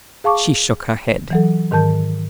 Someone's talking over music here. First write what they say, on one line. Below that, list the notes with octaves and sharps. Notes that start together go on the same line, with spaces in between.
She shook her head.
G#4 F5 A5 C#6 D6
E3 F#3 A4
G#2 D#3 A#4 A5 G6